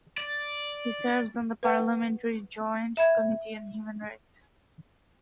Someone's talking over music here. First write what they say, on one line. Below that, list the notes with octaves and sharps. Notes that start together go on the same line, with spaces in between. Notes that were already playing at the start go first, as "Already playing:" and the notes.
He serves on the Parliamentary Joint Committee on Human Rights.
D5
B4 F#5 G5
E5 B5 G#6